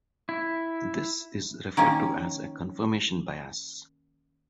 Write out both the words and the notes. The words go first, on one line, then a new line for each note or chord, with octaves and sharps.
This is referred to as a confirmation bias.
E4
D#3 A#3 C#4